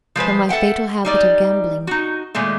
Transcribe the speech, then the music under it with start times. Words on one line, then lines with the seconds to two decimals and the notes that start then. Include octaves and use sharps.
From my fatal habit of gambling.
0.16 F3 G#3 B4 C5
0.49 A4 E5 F#5 G5
1.05 G3 D#4 D5
1.87 D#4 F#4
2.35 A#2 D#3 G#3 A3